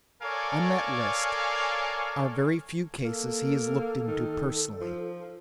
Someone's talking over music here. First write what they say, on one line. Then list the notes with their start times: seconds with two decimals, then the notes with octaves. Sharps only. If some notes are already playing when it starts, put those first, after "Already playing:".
On that list are very few cases he has looked into personally.
0.22 A4 A#4 C#5 D5 F5 G#5
3.05 A#3 A4
4.08 D#3
4.81 F3